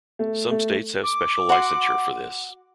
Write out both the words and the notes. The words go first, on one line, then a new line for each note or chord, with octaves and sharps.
Some states have special licensure for this.
A3
A3
D6
F#4 F#5 C6